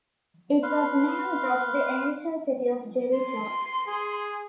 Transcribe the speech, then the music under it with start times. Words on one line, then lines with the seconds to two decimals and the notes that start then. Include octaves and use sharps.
It was named after the ancient city of Jericho.
0.63 B4 F5 C6
3.16 C6
3.88 G#4